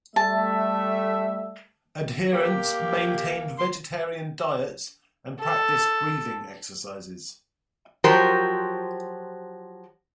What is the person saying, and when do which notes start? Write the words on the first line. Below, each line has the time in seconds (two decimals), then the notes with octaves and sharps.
Adherents maintained vegetarian diets and practiced breathing exercises.
0.16 G3 A3 E5 A5
2.33 A#3 G4
3.59 C6
5.41 A4
8.04 F3 F#3 F#4 G4 A#4 C5